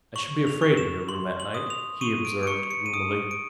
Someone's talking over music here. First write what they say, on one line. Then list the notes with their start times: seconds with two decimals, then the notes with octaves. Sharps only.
"I should be afraid in your room at night," he observed gloomily.
0.16 C#6 F#7
0.47 F7
0.62 C#6
0.77 E7
1.09 C6 F#7
1.40 F#7
1.55 D#6
1.70 F7
2.01 C#6 D#7
2.25 D7
2.43 D7
2.47 C#6 C#7
2.71 C#7
2.86 D#7
2.94 D#6 D7
3.31 D7